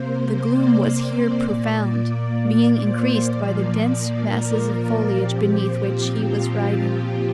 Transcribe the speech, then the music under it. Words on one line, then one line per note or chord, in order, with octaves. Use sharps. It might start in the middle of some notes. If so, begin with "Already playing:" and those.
The gloom was here profound, being increased by the dense masses of foliage beneath which he was riding.
Already playing: C3 A#3 C5
D5
D5
A#2 A#3 D5
D5
C5
A#2 F3 A#3 D5
A#4
A#2 F3 C4 G4
F4